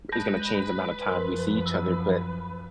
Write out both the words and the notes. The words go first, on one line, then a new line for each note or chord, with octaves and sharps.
is gonna change the amount of time we see each other, but,
G#3 B4 A5 G6 A#6
F#2 F3 A#4 C5 C6
E6